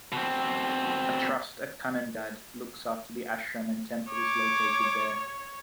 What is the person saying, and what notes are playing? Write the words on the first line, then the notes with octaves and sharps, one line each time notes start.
A trust at Kanhangad looks after the Ashram and temples located there.
B2 C4
C#5 D6